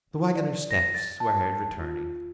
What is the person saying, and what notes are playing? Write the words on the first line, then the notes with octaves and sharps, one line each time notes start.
The waggoner's steps were heard returning.
E4
D5
A#6
A6
A5
F4